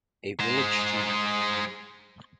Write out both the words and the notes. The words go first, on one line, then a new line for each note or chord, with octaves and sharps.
A village street.
G#3 C5